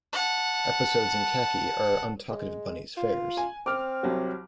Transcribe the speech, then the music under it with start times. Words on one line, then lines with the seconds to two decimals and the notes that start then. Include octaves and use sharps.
Episodes in khaki are Untalkative Bunny's fairs.
0.13 F#5 A5
2.31 G#3
2.97 F4
3.37 G#5
3.66 C4 D6 F6
4.03 C2 F#3 F#4